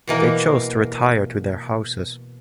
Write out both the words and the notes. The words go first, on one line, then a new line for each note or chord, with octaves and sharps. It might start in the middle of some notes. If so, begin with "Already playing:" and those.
They chose to retire to their houses.
B2 E3 A#3